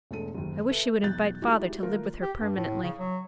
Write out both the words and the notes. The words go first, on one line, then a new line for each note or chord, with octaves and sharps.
I wish she would invite father to live with her permanently.
E1 G#3 A3 A4 D#7
F#1 D#2
A4 B4 E5
B1 E2 F#6 G6 A6
G#3 D#4 E4 F#4 G4
D#3 A3 D#4 F4 A#4
G4
G2
A2
C#3
F#3